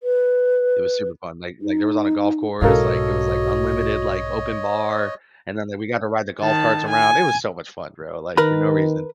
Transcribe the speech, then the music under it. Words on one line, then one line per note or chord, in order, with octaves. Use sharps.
It was super fun, like like, there was on a golf course, like, it was, like, unlimited, like, open bar, and then we got to ride the golf carts around, it was so much fun, bro, like, for no reason.
B4
D#4
B1 G#2 F#4 A4 A#4 C#5 D#5 F5
D#3 A5
G#5
D#3 A#4 B4 B5